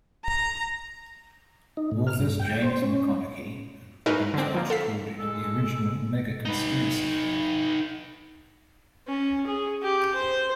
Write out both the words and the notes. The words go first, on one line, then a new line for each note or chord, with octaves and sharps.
Authors James McConnachie and Robin Tudge called it the original mega-conspiracy theory.
A#5
D#4
A2
F6
G2
G5
C5
C#4
D#4 E4 F#4 G#4 A#4 B4
D3 C4
F3 A#3
A4 F5 B6
A#2 G#3 A4
D#4 B4
C#4
G#4
G4
C5